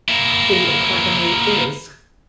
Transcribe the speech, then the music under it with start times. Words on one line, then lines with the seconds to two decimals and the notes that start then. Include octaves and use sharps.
The Academy Is...
0.09 A#3 E4